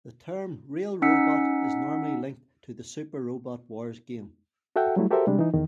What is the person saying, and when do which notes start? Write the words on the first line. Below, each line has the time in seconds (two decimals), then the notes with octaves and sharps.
The term "real robot" is normally linked to the "Super Robot Wars" game.
1.02 C#4 D#4 F#5 E6 B6 C#7
4.76 F#4 A4 E5 F#5 G5
4.96 F#3 G3 A3 E4
5.11 F#4 G4 A4 A#4 C5 E5
5.27 C3 G3 G#3 D4
5.39 E3 D#4
5.54 E2 D#3